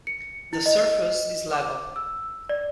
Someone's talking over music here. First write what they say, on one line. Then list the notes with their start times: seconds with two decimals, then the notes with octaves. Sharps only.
The surface is level.
0.07 C#7
0.53 E4
0.66 D#5
1.53 D6
1.96 E6
2.49 D5